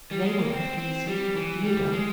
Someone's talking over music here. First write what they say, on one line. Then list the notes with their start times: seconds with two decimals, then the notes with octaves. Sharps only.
'They won't refuse me, if you don't.'
0.11 G3
0.25 G#3
0.38 A#3
0.50 C4
0.78 C4
1.07 G3
1.35 E3
1.64 G3
1.92 G#3